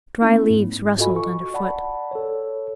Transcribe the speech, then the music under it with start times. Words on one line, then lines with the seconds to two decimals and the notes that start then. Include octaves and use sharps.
Dry leaves rustled under foot.
0.22 A3 B3 C#4 E4
0.50 G#2
0.98 F4 F#4 A4 D#5 G#5 B5
1.16 C#6
1.54 D5 F#5 A5 B5
2.11 A4 C#5